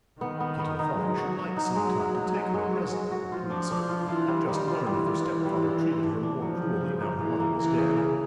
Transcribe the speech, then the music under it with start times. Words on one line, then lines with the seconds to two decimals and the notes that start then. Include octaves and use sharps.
Tito thought he should like some time to take her a present that would please her, and just learn if her step-father treated her more cruelly now her mother was dead.
0.21 D#3 B3
0.40 B3
0.59 B3
0.79 D#4
0.98 F#3 G#3
1.18 F#4
1.38 F#4
1.57 D#4
1.76 G#3
1.96 B3
2.14 D#4
2.35 G#3
2.54 G#3
2.73 F#4
2.93 G#3
3.11 F#4
3.31 F3 F4
3.50 D4
3.71 D4
3.90 F4
4.08 E3 F4
4.28 G3
4.48 D#3 G3
4.68 F4
4.86 E3 G3
5.06 F4
5.25 F4
5.45 G3
5.64 F4
5.83 G3
6.03 D4
6.23 D4
6.42 F3 F#3
6.62 C#3
6.81 C#3
7.00 A#3
7.19 C#3 E3
7.40 A#3
7.59 E3 A#3
7.78 C#3
7.97 C#3